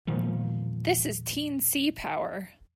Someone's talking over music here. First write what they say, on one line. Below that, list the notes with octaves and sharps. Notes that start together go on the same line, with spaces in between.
This Is Teen-C Power!
E1 A#2 D#3 F3